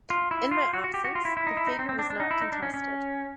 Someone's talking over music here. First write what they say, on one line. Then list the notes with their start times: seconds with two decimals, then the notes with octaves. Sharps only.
In my absence, the figure was not contested.
0.10 F4
0.31 E4
0.51 F4
0.73 F#4
0.84 F#4
0.94 G4
1.05 F#4
1.15 F4
1.25 E4
1.37 E4
1.47 D#4
1.57 E4
1.67 D#4
1.79 C4
1.89 C4
1.99 D4
2.10 D4
2.20 D#4
2.31 E4
2.41 D#4
2.52 D4
2.63 C#4
2.74 C#4